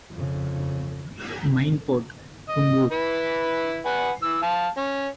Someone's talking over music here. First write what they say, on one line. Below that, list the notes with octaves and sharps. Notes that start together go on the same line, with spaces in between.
Main port: Kungur.
F2 C#3
D#5
E4 B4
B4 F#5 G#5
E3 E6
F5 A5
C#4